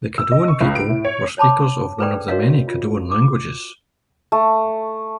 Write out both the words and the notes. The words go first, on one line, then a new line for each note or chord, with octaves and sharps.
The Caddoan people were speakers of one of the many Caddoan languages.
E6
D#5
C#6
C#2
D7
A2
C#5
C5 C#5 A5 B5 D6
G#4 A4 B4 C5 D5 G5
F#4 A#4 C#5 D#5 F5
F4
D6
A3